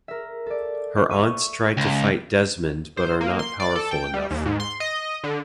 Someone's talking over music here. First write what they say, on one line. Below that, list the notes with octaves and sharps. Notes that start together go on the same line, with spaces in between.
Her aunts try to fight Desmond but are not powerful enough.
A#4 E5
A4 D5
E5 C#6 D#7
C#2
C5
A#3
C6
D5
A4
G5
G3
D#2
G#2
C6
D#5
D3